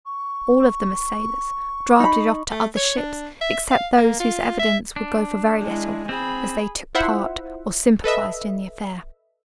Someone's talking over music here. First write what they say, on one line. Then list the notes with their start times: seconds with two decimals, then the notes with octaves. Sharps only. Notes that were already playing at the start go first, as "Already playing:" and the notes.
All of them are sailors, drafted off to other ships, except those whose evidence would go for very little, as they took part, or sympathised in the affair.
0.05 C#6
2.00 D#4 B5
2.51 A3
2.77 C#5
2.98 D4
3.41 E5
3.71 F5
3.98 A#3
4.20 F4
4.59 E5
4.96 D4
5.62 G#3 E4
6.09 C4 G#4 B5
6.95 E4 F4 C5 E5 F#5
8.04 A4 B4 D#5 E5